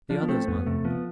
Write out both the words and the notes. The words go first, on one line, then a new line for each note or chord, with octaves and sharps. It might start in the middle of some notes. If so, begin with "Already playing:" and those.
"The others, my lord!"
F3 D4
B3
A3 C4
F2 B3
C3 A3
F3 B3